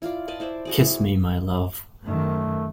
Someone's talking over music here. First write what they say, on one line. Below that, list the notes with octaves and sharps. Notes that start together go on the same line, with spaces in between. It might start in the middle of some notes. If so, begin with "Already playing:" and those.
Kiss me, my love.
E4 F4 D5
B4 D5 D#5 A5
E4 C5 D5 E5
F#4 G#4 D5
E4
F#2 D#3 A3